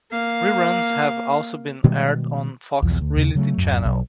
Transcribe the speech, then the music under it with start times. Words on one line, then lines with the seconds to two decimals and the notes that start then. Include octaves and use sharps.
Reruns have also been aired on Fox Reality Channel.
0.12 A#3 F5
1.84 B2 D#3 G3 G#3
2.82 B1 E2 F3
3.01 D2
3.16 D#2 C#3
3.35 C#3 F#3 G3 A3
3.58 D1 F#2
3.85 B1